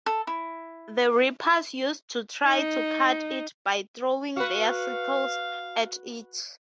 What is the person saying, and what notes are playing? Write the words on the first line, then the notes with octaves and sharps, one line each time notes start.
The reapers used to try to cut it by throwing their sickles at it.
A4
E4
D#4
F#4 B4 F5